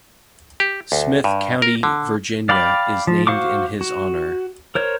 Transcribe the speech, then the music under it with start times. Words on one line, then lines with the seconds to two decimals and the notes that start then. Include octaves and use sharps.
Smyth County, Virginia is named in his honor.
0.60 G4
0.92 D2
1.24 G2
1.62 A#4
1.83 D3
2.49 D5 F5 G5 B5 D6
3.07 F3
3.27 F#4 C5 F5 C#6 D6
3.81 F#4
4.75 A#4 C5 C#5